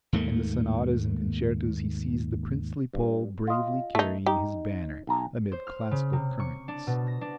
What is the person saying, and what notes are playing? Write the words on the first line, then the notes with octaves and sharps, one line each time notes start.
In the sonatas and concertos he sees the princely Pole bravely carrying his banner amid classical currents.
D#2 G#2 A3 A#3
G2
F4 D#5
A3 D#4
D#4 G4
B1 A#5
C5
F6
C#3
C3
C#6
D4
B2
A#6
D4